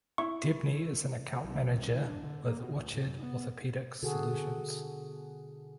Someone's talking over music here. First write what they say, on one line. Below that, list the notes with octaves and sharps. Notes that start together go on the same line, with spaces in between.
Debney is an Account Manager with Orchid Orthopedic Solutions.
E4 C#6
B1
A1
C2
E3
D4
D3
A#3
B2
D2
A2
F#2
B3
B2 D3 F#4 G#4 A4